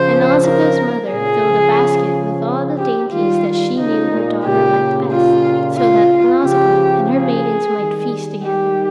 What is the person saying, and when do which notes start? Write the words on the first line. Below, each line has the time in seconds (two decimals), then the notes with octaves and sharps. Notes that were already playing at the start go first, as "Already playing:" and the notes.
And Nausicaa's mother filled a basket with all the dainties that she knew her daughter liked best, so that Nausicaa and her maidens might feast together.
Already playing: C#3 F3 C5
0.45 A#4
1.12 A#2 C#3 G#4
1.45 C#3 F3
2.78 G4
3.12 D#3 G3 F4
3.78 C#3 F3 D#4
4.11 A#2
4.44 A#2 C#3 G4
5.12 F4
5.78 F4
6.44 C#3 F3 G4
7.11 G#4
7.77 D#3 G3
8.44 G4